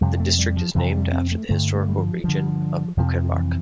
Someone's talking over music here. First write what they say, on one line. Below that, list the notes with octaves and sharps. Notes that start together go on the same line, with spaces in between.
The district is named after the historical region of Uckermark.
F2 C3 G3
A3
G3
F3
F2 C3 E3
G3
C4
A3
G2 D3 A3
A3
G3
F3
G2 D3 F3
F2 C3 F3
E3